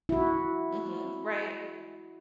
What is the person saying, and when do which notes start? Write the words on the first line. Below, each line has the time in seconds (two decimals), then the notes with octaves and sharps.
Mhm. Right.
0.09 E4 F#4